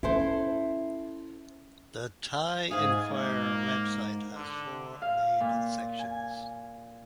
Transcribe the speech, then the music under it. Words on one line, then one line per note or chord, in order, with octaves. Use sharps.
The "Thai Enquirer" website has four main sections.
C#4 E4 A4 C5
G#2 G#4 F5
A#3
D3
F5
A#2
G#5